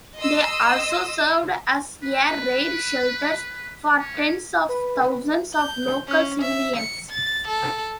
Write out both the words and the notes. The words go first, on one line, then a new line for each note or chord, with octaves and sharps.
They also served as air-raid shelters for tens of thousands of local civilians.
D#5 C6 D#6 E6
B4
C#4
B4
G6
C#4
E5
C#7
A6
A4